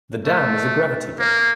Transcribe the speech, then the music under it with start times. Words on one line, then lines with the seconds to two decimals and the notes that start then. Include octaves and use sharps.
The dam is a gravity dam.
0.25 A3
1.19 A#3